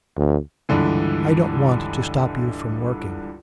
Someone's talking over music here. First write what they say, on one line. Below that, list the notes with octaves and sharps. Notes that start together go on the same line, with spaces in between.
I don't want to stop you from working.
D2
C#2 G2 D3 E3